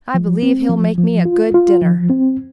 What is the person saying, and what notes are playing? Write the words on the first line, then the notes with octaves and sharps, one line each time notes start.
I believe he'll make me a good dinner.'
F3
C4
F3
F3
F4
F4
F3
C4